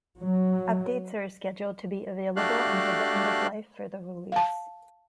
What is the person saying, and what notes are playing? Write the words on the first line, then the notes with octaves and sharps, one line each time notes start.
Updates are scheduled to be available until the end of life for the release.
F#3
A3 D4 F#4 G4 F5 F#6
F5 A5